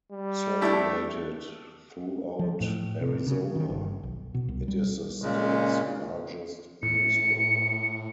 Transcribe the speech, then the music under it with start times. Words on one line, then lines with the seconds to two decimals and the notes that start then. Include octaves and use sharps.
Circulated throughout Arizona, it is the state's largest newspaper.
0.11 G3
0.61 A3 D4 E4 G4
2.39 F3
2.60 A2
3.01 C3
3.27 C#3
3.56 D#3
3.70 G1
4.03 B1
4.34 B2
4.48 C2
4.68 G3
5.22 A#2 C#3 G#3
6.83 A2 C#7